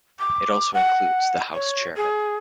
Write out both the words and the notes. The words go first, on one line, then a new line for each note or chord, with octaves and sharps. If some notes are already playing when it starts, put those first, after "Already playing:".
It also includes the House Chairman.
D6
F#5
C#5
G#4